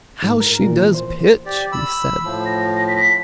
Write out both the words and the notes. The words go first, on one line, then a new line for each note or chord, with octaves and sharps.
"How she does pitch!" he said.
G#2
A#4
A#2
E3
C5
G4 D5
B5 E6
A2 F3
A#6
B6